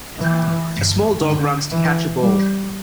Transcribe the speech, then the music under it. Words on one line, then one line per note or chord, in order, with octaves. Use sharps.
A small dog runs to catch a ball.
E3
D3
E3
G3